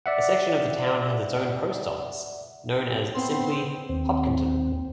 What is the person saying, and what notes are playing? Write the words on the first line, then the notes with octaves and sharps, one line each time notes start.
A section of the town has its own post office known as simply Hopkinton.
D5 E5 F#5
B3 C4 C6
D#2 C4